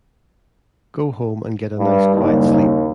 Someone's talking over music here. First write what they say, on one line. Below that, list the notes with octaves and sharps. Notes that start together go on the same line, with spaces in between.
Go home and get a nice quiet sleep.
G2
F#1 D#2 G3 D#4